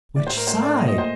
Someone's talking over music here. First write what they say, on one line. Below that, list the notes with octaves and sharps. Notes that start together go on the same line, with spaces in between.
"Which side?"
A2 D5
C5
A2
A#4
A3 C5
A3 D5
A#2 D#5
D#5
A#2 C5